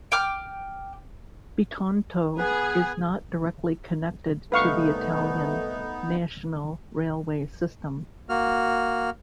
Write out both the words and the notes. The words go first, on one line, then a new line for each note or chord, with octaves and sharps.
Bitonto is not directly connected to the Italian national railway system.
G5 D6 F6
B3 G#4 B4
C2 A3 B3 D#4 B4 F5 C#6
A#3 F#4 F6